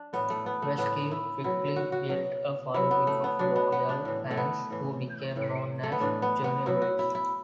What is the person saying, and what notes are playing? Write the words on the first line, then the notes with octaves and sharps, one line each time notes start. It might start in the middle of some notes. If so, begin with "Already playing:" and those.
Vasquez quickly built a following of loyal fans who became known as "Juniorites".
Already playing: D4
A2 E3 B3
A3
B3
A3
A2 E3 B3
E4
B2 F#3 E4
F#4
F#4
B2 F#3
B2 F#3 E4
B3
A3
B3
B2 F#3 D4
B3
B3
D4
A2 E3
A3
B3
A2 E3
A2 E3
A3
B3
A2 E3 D4
B3
B3
B2 F#3 E4
F#4
E4
E4